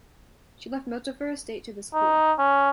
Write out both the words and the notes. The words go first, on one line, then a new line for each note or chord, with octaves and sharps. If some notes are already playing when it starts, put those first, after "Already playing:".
She left most of her estate to the school.
D#4
C#4